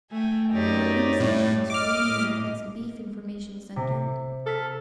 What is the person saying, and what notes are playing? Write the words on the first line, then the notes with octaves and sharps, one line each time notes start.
The organization was formerly known as the Beef Information Centre.
A3 G5 G#5
F#2 D#4 G4 C#5 D5
A2 G3
D#5 D6 F6
A2
C3
A4 F6 B6